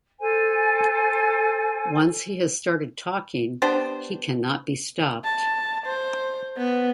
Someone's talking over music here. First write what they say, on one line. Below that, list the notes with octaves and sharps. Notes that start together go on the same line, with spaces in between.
Once he has started talking, he cannot be stopped.
A4 C5 G#5
B3 D4 G4 C5
A5
C5
B3